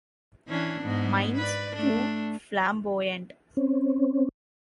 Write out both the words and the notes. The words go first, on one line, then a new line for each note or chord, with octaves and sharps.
Mine's too flamboyant.
E3 C#4 D4
G#2 B3
B4 D5
A3 D4
C4 C#4